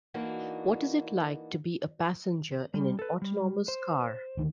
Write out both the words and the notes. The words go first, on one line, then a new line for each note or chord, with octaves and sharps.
What is it like to be a passenger in an autonomous car?
E3 A#3 D4 D#4 F#4
G3
A4 B4
G3
C5
D2 D#3